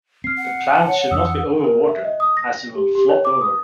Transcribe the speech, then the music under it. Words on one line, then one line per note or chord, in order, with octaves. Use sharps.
The plant should not be over watered as it will flop over.
C4 F6 C7
F#5
A5
C#5
F2 E3 C4 D#6 E6
A#4
E5
D#5
D#6
A#6
G4
G4
C#5
D6
D#6